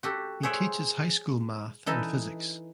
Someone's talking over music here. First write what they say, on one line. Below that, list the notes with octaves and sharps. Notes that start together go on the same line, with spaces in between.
He teaches high school math and physics.
F#4 G4 A4
G#4 C5 C#5 E5 F#5 G5
E3 D#4 A4 B4 D#5